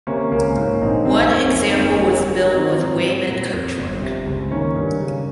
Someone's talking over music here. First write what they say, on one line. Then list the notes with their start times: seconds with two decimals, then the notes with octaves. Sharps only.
One example was built with Weymann coachwork.
0.07 C3 A#3 C#4
0.32 C#2 A#3 C#4
0.56 G#2 A#3 C#4
0.82 A#1 C4 D#4
1.05 C3 C4 D#4
1.31 F2 A#3 C#4
1.55 F2 C#4
1.67 D#4
1.76 G1 A#3 C#4
2.04 G3
2.29 G2
2.53 D#3 C4 D#4
2.79 G#2
3.04 G3
3.28 A#2
3.53 F2
3.78 G1
4.01 C3
4.26 C#2
4.51 D#3 A#3 C#4
4.76 G2
5.00 C#3